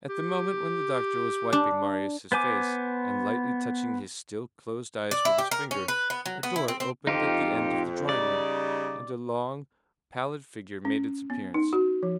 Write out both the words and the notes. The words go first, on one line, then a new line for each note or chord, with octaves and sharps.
At the moment when the doctor was wiping Marius' face, and lightly touching his still closed eyes with his finger, a door opened at the end of the drawing-room, and a long, pallid figure made its appearance.
G4
D4
B3 C5 G#5 D6
D5
E4
G4
A#4
C#4
B4
B3
F#3
B3
E4
C4
C4
F2 D#4 F4 G4
C#3 G3 D#4 D5
C#4
B3
D#4
F#4
F3